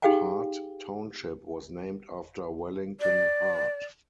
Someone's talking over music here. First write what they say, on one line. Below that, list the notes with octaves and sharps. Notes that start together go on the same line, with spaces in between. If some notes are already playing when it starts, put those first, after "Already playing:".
Hart Township was named after Wellington Hart.
D#4 G4 G#4 F5 G5 G#5
D5